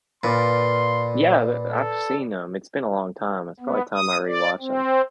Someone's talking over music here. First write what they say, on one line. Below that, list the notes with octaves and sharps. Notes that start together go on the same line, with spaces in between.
Yeah, the the I've seen 'em. It's been a long time. It's probably time I rewatched 'em.
A#2 B4 D5 F5 C6
A4
B3
D#6
D5
C4